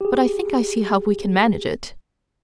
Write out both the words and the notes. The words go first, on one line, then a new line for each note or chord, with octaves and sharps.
But I think I see how we can manage it.
G4 G#4